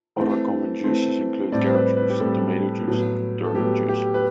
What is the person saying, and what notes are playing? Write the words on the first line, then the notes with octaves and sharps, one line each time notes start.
Other common juices include carrot juice, tomato juice, and turnip juice.
E3 A3 C4
E3 A3 C4
A2 G3 C4 D5
C5
B4
B4
G4
A2 G3 C4 A4
A2 F#3 B3
A4
A2 F#3 B3 G4
G4
B4